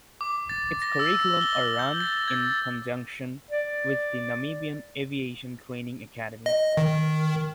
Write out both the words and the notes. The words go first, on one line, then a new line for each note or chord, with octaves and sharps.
Its curriculum are run in conjunction with the Namibian Aviation Training Academy.
D6
A6
A#6
E6
G7
G6
A6
G#6
D5
D#5
D#3